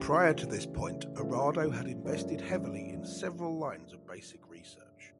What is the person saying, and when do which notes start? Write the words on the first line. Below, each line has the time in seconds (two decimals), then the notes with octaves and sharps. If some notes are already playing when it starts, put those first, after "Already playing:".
Prior to this point, Arado had invested heavily in several lines of basic research.
Already playing: C#3 E3 A3 C#4 G4
0.09 F4
0.30 C#3 E3 A3 C#4 G4
0.74 C#3 E3 A3 C#4
1.17 C#3 E3 A3 C#4 F4 A4
1.61 G2 F3 A3 C#4
2.05 G2 F3 A3 C#4 A#4 D5
2.49 G2 F3 A3 C#4
2.92 G2 F3 A3 C#4